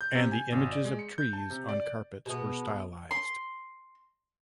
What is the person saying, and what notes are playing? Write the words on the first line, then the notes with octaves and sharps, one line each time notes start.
And the images of trees on carpets were stylized.
G6
C3
G#5
G#1
D5
G#3
C#7
G6
A5
C3
D5
B2 G#3 A3 B3
C6